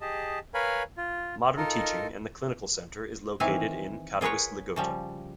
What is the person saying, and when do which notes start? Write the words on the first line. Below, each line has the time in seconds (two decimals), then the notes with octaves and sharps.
Modern teaching and the clinical Center is located in Katowice -Ligota.
0.01 G4 G#4 D#5 A5
0.54 A#4 B4 C#5 F5 G#5 B5
0.97 F4
1.57 D#4 F4 A4 A#4 D#5
3.40 D#3 E3 C4 E5 F5 G#5
4.21 F4 G#4 A#4 B4 C#5
4.76 C#3 F3 G3